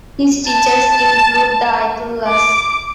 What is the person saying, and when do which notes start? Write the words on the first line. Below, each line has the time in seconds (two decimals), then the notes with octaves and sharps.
His teachers include the Ayatollahs.
0.48 A5
2.27 D6